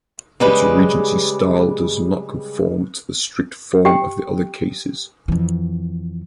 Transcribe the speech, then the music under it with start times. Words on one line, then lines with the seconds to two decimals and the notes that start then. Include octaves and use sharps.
Its Regency style does not conform to the strict form of the other cases.
0.40 C#3 G3 G#3 G4 B4
3.85 G4 G5
5.28 F2 E3